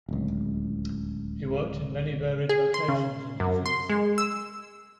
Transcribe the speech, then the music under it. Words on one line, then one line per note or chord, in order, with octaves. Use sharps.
He worked in many varied vocations in his youth.
D1 C#2
G#4
C6
C#3
F#2
C6
G#3
E6